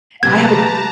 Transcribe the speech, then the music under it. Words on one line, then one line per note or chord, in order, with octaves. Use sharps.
I have a
C3 F#3 C4 G4 B4 A5 A#5 G#6